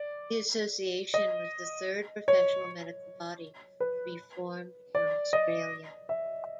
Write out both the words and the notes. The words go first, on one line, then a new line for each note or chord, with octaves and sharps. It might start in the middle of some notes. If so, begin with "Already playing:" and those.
The Association was the third professional medical body to be formed in Australia.
Already playing: D5
D#5
C#5
B4
D5
D#5
E5